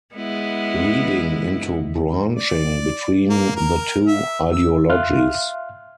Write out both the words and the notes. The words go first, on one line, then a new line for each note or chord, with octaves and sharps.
Leading into branching between the two ideologies.
G#3 B3 E4
D5
A#3
A#4
E5
E6
E5 F5 C6 F6 F#6